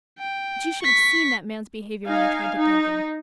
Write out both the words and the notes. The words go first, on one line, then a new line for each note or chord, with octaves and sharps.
But you should have seen that man's behavior when I tried to thank him.
G5
C#6 B6
D#4 F5 G#5
D#4